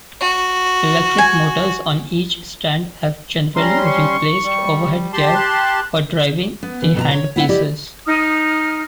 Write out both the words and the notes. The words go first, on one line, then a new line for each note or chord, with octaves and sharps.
Electric motors on each stand have generally replaced overhead gear for driving the handpieces.
F#4
G#5
G3 C#4 A#5 C6
C#6
G3
G4 A5 C6
F#6
B3
E3
B2 A5 A#5
C#5
B3 E4 F5 F#5
E4 G4 D5 D#5
D#4 D#6 F6